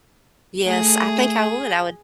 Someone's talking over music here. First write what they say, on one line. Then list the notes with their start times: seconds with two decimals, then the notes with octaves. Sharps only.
Yes, I think I would I would
0.67 A3 G#4